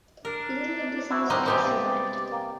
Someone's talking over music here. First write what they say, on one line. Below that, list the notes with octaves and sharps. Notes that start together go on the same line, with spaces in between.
Little of this music has survived.
D4 A#4
D4 E4 F#4
G3 C4 D#4 A#4 B4 D5
F#2 C3 B3 C4 G4 B4 D#5
G2 D5
A#3 G5